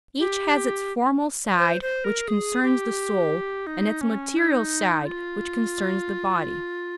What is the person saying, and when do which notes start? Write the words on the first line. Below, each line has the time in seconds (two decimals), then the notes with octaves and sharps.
Each has its formal side which concerns the soul, and its material side which concerns the body.
0.20 G4
1.58 C5
1.82 C5
2.04 A#4
2.28 G#4
2.63 G4
3.67 D#4
4.01 C#4
4.37 D#4
5.05 F4